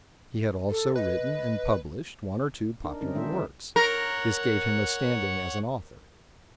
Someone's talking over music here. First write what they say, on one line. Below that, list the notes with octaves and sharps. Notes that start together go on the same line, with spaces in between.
He had also written and published one or two popular works; this gave him a standing as an author.
A4
B4 D#5
D4 D#4 A#4
D3 G3 C4 C#4 D#4 A#4
D#3 G#3 D4 C5 E5
E4 A4
A#4 C#5 F#5